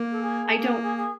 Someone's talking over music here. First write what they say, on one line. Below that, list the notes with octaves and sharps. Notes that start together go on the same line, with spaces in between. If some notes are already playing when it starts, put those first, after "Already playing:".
I don't
Already playing: A#3
A4
G#4
A#3
G#4
G#4